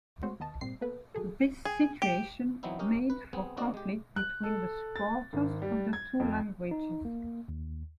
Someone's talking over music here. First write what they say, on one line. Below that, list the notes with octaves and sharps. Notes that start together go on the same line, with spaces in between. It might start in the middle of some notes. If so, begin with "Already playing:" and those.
This situation made for conflict between the supporters of the two languages.
G#3 A3 C4 F#4 C5 C#5
D#2 B3 D#5 A5
G#1 A#2 G3 C4 C7
A#3 B3 A4 B4
F#3 G#4 A4
G#4
G4
E3 F#3 B3 C4 D#4 E4
C#4 G4 A#4 D#5
B4
B3 C4 G#4
A#3 C4 D4 F#4 D5 D#5
G#3 G4
F#6
A4
A6
G#1
G3
G#6
F2
D#4
A#3
D#2